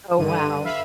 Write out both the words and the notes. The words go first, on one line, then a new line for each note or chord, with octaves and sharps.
Oh, wow.
G2 D3 D#7
E5 F5 B5